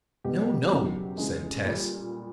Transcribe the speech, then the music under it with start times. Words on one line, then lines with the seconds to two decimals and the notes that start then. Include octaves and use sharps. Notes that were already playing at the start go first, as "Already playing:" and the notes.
"No, no!" said Tess.
0.24 B2 G3 B3 G4
0.71 E2 C#3 F#3 A#3
1.17 F2 C#3 E3 G#3 G#4
1.64 A#2 G3 A#3